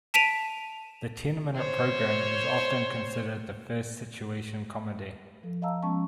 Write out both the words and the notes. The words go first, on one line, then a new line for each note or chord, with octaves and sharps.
The ten-minute program is often considered the first situation comedy.
A5 B6 D7 D#7 F7
C5 C#5
F3 A4
D#5 F5 A5 A#5 E6
F3 G#3 B3 C#4 A5 C#6